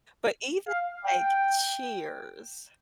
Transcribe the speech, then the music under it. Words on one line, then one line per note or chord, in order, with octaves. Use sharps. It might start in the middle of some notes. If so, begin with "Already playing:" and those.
But even, like, Cheers,
F5
G5